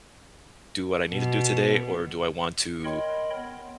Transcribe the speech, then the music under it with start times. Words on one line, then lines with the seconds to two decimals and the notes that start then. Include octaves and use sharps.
do what I need to do today?" or, "Do I want to,
1.10 B2
2.84 A#4 C#5 D#5 G5 B5 C6
3.34 B3